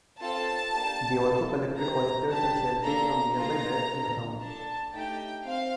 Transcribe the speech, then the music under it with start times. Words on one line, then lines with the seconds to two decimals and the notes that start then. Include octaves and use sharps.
They also collected oysters and shellfish from nearby beds in the Sound.
0.20 C4 F4 A4 A5
0.73 A#3 D4 G4
1.25 A#3 F4 A4
1.78 A3 C4 G4 A#5
2.31 D4 G4 A5
2.83 A#3 D4 A4 A#5
3.35 A#3 F4 A4 A#5
3.89 D4 A4
4.41 D4 A4 A5
4.94 A3 D#4 G4 G5
5.46 C4 F5